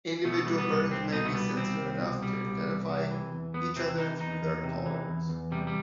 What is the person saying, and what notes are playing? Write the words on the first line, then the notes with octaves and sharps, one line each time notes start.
Individual birds may be sensitive enough to identify each other through their calls.
B2 A3
G3
B3
C2
C2 C4
B2 D#4
A3
G3 B3
C2 C4
C2
B2
G3
C2
C2
C3
E3
E2
E2 B3
C3 C4
E3 D#4
E2 D#4
E2
C3
E3
E2
E2
C3 G3
G3